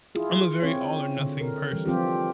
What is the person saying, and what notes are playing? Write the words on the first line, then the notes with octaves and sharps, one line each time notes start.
I'm a very all or nothing person
E4 F4 G#4
C4 C#5
D3
A#4
E3 G3
F3 C4 F4 G4